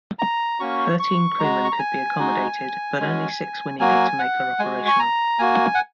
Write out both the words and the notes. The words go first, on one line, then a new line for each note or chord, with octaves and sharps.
Thirteen crewmen could be accommodated, but only six were needed to make her operational.
A#5
A#3 C#4 F#4 C#6
C#6
G#3 F#4 A#5
C#6
A#5
G#5
G#3 D#4 F#4
G#3 C#4 F#4
F#3 A#3 F#4 G#5
F#5
G#3 F#4 G#5
C#6
A#5
A#3 F#4 G#5
F#5